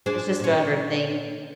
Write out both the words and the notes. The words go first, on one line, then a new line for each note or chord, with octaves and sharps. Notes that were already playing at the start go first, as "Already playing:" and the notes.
It's just another thing.
D4 G#4 C5
A#2 C#4